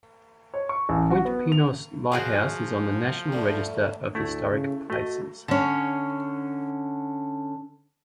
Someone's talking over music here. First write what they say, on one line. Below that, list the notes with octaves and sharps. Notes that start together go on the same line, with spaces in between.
Point Pinos Lighthouse is on the National Register of Historic Places.
C#5
C#6
A1
F#4
B3
F7
F3 F4 F#4 G#4 A#4 C5
F2 D3 G3 A3
D2 A3 E4
C#3
A3 F#4 D#5
D3 C#4